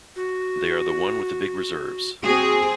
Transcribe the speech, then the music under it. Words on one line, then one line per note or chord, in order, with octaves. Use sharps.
They are the one with the big reserves.
F#4
C4 F#4 G#4